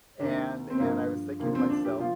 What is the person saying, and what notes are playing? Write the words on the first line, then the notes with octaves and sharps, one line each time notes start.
And and, I was thinking to myself,
D#2 D#3 D4
C4
G2 D3 F3 A#3
D#2 D3 F3 A#3
C4
D4
G4
F3 F4